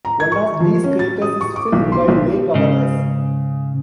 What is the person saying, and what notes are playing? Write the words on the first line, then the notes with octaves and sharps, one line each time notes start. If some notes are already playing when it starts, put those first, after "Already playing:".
One of these craters is filled by Lake Avernus.
A#5
G#6
C#6
F3
C#4
A6
D#6
C#6
D6
B1
C6
B1
G#2 C#3